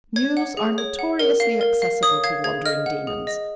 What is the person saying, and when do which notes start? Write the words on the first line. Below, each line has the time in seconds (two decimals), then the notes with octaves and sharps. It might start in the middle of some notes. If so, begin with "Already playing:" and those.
Mules are notoriously accessible to wandering demons.
0.16 C#5 G#6
0.37 F#5
0.57 G#4
0.78 C#5
0.99 F#5
1.19 A#4
1.40 F5
1.61 A#4
1.82 F5
2.03 C#5 D#6
2.24 F5 G#6
2.44 G#4 G#6
2.66 D#5 F6
2.86 F#5
3.07 G#4
3.27 D#5